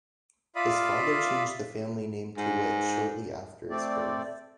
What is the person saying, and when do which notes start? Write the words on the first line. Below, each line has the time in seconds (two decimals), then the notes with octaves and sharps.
His father changed the family name to Witt shortly after his birth.
0.56 F4 D5 E5 F5 B5 D#6
2.38 G#2
3.70 A3 C4 D5